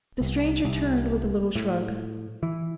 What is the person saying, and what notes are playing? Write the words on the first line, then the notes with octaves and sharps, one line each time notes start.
The stranger turned with a little shrug.
C2
C2
A2
E3